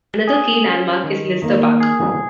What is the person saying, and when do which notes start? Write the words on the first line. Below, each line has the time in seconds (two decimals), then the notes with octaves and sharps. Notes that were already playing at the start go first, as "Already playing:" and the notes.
Another key landmark is Lister Park.
0.28 G#4
0.65 C#4
1.04 D#3
1.42 D#3 A#3
1.80 G#4